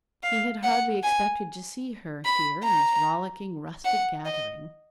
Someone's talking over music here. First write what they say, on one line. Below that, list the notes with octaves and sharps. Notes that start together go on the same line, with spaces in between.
He had hardly expected to see her here in this rollicking, rustic gathering.
F5
F#5
G#5
B5
A#5
F#5
D#5